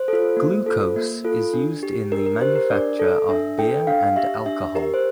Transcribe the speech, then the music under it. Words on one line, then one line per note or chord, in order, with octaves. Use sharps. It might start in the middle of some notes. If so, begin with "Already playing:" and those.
Glucose is used in the manufacture of beer and alcohol.
Already playing: C5
F4 A4
A#3
F4 A4
A#3
F4 A4
D4
G4
D4 A#4
A#4
G4 C5
A#4
D4 D5
A4
D4 E5
A4 G5
D4 F5
G4 E5
D4 E5
G4 A#4
C5